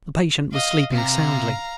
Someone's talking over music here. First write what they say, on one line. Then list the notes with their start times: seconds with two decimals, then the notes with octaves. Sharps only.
The patient was sleeping soundly.
0.53 D#5 F5
0.91 C3 F5 A#5